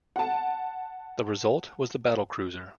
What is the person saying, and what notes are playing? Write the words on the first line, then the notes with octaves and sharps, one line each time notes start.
The result was the battlecruiser.
F#5 A5